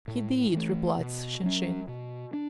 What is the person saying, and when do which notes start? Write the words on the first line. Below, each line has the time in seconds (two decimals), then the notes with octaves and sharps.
"He did," replied Shinshin.
0.08 A2
0.54 E3 A3
0.99 B2
1.44 F#3 C#4
1.88 B2
2.33 D4